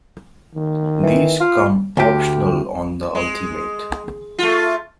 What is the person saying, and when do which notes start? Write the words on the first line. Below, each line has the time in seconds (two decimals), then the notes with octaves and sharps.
These come optional on the Ultimate.
0.55 D#3
1.03 E3
1.40 F4
1.97 D2 G4
3.15 G#3
4.39 A3 F4